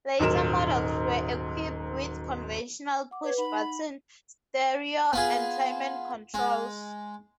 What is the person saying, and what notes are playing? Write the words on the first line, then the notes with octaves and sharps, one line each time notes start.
Later models were equipped with conventional push button stereo and climate controls.
D#1 G#2 F#3 A#4 E7
F#5 D6
B4 C#5
D#4 F#5 B5
B3 F4 G#4
G#3